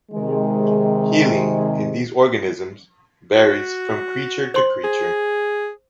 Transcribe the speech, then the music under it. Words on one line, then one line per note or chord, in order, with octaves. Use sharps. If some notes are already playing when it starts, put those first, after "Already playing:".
Healing in these organisms varies from creature to creature.
C3 D#3 G#3
F#4
C5 C6
G#4